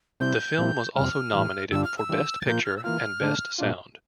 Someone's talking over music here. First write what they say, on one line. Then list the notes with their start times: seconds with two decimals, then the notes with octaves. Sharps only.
The film was also nominated for Best Picture and Best Sound.
0.20 C3 G3 C4 E4 G6
0.58 A#2 G3 C4 E4
0.96 F2 C3 G3 F6
1.33 A2 E3 G3
1.71 G2 D3 G3 D4 F4 E6
1.84 F6
1.98 E6
2.09 E3 G3 D4 F4
2.41 A6
2.46 A#2 F3 A#3 F4 G6
2.65 F6
2.77 E6
2.84 E3 A#3 F4 F6
3.21 D3 A3 D4
3.58 A#2 G3 D4 F4